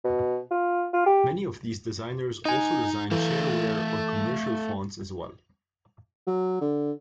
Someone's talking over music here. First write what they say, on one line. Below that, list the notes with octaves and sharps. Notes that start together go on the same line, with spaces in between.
Many of these designers also design shareware or commercial fonts as well.
B2
F4
F4
G4
D#4 D#5 G#5
E3 A3 A4 F5
F#3
D3